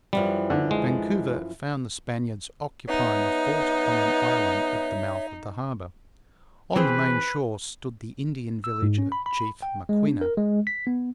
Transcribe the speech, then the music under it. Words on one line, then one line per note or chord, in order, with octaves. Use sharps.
Vancouver found the Spaniards occupying a fort on an island at the mouth of the harbour. On the main shore stood the Indian village of Chief Maquinna.
F#2 E3 F3 G3
D3
G#3
B3 D#4 C#5 E5
E3 C4 G#4 B4
E6
G#2
C#4
B5
B5
G5
G#3
D4
A#4
G#3
B6
B3